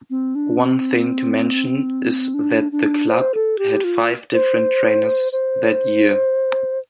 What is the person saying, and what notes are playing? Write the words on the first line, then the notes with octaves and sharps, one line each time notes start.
One thing to mention is that the club had five different trainers that year.
C4
D4
C4
D4
D4
C5
A4
G4
F4
C5
C5